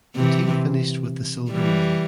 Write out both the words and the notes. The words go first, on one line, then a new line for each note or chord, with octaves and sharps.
The team finished with the silver medal.
C3 E3
E3 G3